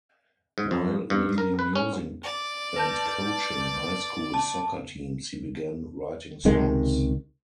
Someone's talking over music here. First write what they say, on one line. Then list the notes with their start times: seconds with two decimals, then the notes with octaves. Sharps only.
While leading music and coaching high school soccer teams he began writing songs.
0.58 G#2
0.71 F2
1.10 G2
1.38 A#4
1.59 B4
1.75 C#4
2.23 D5
2.76 B4 A5 G6
4.34 A5
6.45 C#2 C3 D#3 G#3